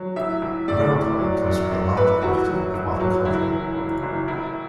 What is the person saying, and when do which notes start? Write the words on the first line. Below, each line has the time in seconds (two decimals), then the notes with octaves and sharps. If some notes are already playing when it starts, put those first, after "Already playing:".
The brown color comes from the large quantity of mitochondria.
Already playing: F#3
0.16 A1 E5
0.42 A1
0.68 A2 D5
0.93 A2
1.19 F#3
1.45 F#2
1.71 F#2
1.96 F#2 B4
2.22 A1 F#4
2.48 F#3
2.74 A1
3.00 F#3
3.25 F#1 E4
3.51 E3
3.77 F#1
4.02 F#1
4.28 A1 E4